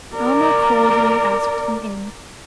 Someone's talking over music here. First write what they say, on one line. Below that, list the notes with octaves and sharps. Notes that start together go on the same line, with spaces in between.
Alma coldly asked him in.
A#4 D5